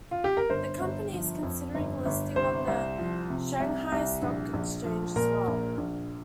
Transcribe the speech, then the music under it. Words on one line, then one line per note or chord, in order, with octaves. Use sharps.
The company is considering listing on the Shanghai Stock Exchange as well.
F4
G4
A#4
G1 C5
G1
F3
F2
G1
G1
C2 C5
C2
F3
C3
C2
C2
A#1
A#1
F3
A#2 A#4
A#1
A#1